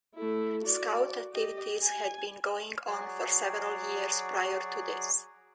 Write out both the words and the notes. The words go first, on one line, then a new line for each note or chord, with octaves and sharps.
Scout activities had been going on for several years prior to this.
A3 E4
F#4 D5
G4 D#5
G#5
F#3 F#4 G#4 D5